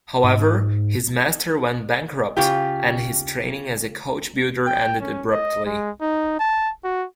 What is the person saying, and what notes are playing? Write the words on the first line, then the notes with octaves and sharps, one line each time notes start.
However, his master went bankrupt and his training as a coach-builder ended abruptly.
G#2
C#3 F4 G4
G5
C#4
D#5
G#3
D#4
A5
F#4